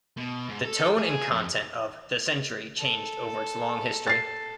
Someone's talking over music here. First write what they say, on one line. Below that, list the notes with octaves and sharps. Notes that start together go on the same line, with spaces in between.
The tone and content of "The Century" changed over its long history.
B2
G#2
A4
G#4
F2
A4
A6 C7